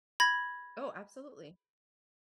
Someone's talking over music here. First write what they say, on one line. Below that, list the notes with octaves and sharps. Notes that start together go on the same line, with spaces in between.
Oh, absolutely.
B5 G#6 A#6